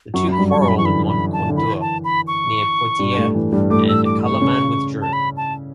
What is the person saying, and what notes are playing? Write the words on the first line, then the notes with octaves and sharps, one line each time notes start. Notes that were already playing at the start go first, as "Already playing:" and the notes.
The two quarreled at Moncontour, near Poitiers, and Carloman withdrew.
F#2 F#3 C#6
F#3 B5
G2 G3
C#6
F#2 F#3 C#6
B5
E3 C#6
D3 B5
B5
A5
D3
E3 B5
A5
B5
C#6
G2 G3
A2 A3
E3
G2 G3
A2 A3 D6
E6
D6
C#6
C#3 C#4
A5
B5
A5